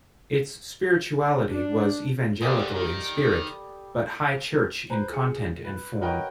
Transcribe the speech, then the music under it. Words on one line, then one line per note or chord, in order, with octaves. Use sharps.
Its spirituality was Evangelical in spirit, but High Church in content and form.
D4
G3 G#3 B3 A4 A#4 F5 D#6
D#3
B4 C5 A#5
G#4 C#7
B4
F#4 A#4 B4 C#5 D#5 G5